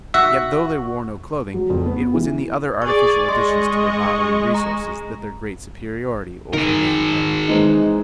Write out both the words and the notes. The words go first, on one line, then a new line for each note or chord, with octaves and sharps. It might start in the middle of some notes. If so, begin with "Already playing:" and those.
Yet though they wore no clothing, it was in the other artificial additions to their bodily resources that their great superiority over man lay.
F#4 E5
F#3
F2
B3
E3
G#4 D5 C#6
G#3 D#5 C6 C#6 A6
A#5
D#3 G#4 A#4
E3 G#3 C4 D#4